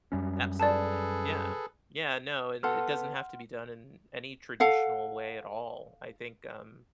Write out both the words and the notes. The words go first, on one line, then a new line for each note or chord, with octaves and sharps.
Absolutely. Yeah, yeah, no, and it it doesn't have to be done in any traditional way at all, I think, um,
F#2 G3 C#4
G#4 A4 B4 D5 A5
B3 A4 F#5 C6 F6
A4 F5 F#5